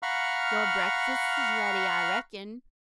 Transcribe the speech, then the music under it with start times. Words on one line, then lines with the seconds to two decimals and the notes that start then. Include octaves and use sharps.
Your breakfast's ready, I reckon.
0.03 F5 F#5 A#5 B5 C#6 F6